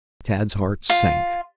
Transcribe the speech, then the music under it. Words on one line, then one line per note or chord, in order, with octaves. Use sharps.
Tad's heart sank.
F4